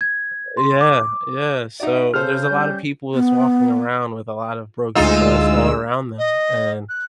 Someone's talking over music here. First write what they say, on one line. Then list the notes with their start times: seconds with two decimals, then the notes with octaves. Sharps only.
Uh, yeah yeah, so there's a lot of people that's walking around with a lot of broken trust all around them, and
0.01 G#6
0.57 C6
0.81 D6
1.80 D#4 F#4 D5 E5
2.14 C#3 G#4 A4 C5 F6 G6
2.49 G3 C#4
3.15 B3
4.95 D2 G#3 D#4 F4 E6
6.18 D#5
6.89 F#6